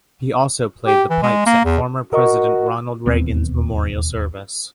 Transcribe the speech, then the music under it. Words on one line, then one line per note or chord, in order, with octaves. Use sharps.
He also played the pipes at former President Ronald Reagan's memorial service.
G4
E3
G#3
A#3
E2
F#4 A#4 D#5 C#6
E1 D#2 B3 C4